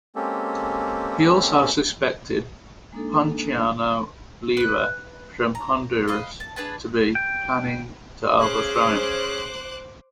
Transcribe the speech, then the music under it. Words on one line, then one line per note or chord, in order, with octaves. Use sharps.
He also suspected Ponciano Leiva from Honduras to be planning to overthrow him.
G#3 A#3 C4 C#4 G4 A4
G#3 A#3 D4 D#4 A4
B4 F#6
A#5
B4 D#5 F5
A5
D4 G#4 B4 A5
G5
C#4 G#4 C5 D6 F#6